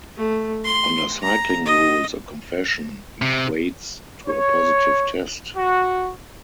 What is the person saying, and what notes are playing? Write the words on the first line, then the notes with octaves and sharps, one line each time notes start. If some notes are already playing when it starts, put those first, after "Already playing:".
Under cycling rules a confession equates to a positive test.
A3
C6
A#5
D#5
C3
C#5
F#4